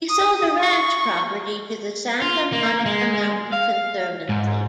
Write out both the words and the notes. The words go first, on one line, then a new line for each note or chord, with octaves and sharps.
He sold a ranch property to the Santa Monica Mountains Conservancy.
D#6
C#6
F4
A#3
G#3
F5
G#2